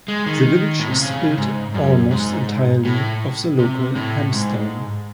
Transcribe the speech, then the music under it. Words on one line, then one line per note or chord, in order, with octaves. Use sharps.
The village is built almost entirely of the local hamstone.
G#3
D#3
A2
C3
C#3
G#2
F#2
G#2
A2
C3
A2
G#2